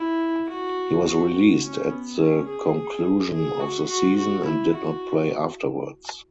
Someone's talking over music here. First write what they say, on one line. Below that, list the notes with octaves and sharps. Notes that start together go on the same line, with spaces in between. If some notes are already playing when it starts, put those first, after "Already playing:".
He was released at the conclusion of the season and did not play afterwards.
Already playing: E4
F#4
F#4
C#4
B3
C#4
G#4
G#4
F#4
F#4
F#4
E4
F#4